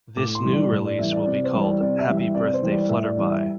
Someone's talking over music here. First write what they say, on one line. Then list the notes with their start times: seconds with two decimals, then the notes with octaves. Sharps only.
This new release will be called "Happy Birthday Flutterby".
0.17 A2 D6
0.35 C6
0.44 E3 G3
0.53 D5
0.71 A2
0.85 D5
0.98 E3 G3 E5
1.12 D5
1.26 C3 D5
1.44 C5
1.53 E3 G3
1.62 D5
1.81 C3 D5
1.99 E5
2.08 E3 G3
2.17 E5
2.35 C3 D5
2.53 C5
2.62 E3 G3
2.72 D5
2.89 A2 E5
3.03 D5
3.17 E3 G3 D5
3.30 E5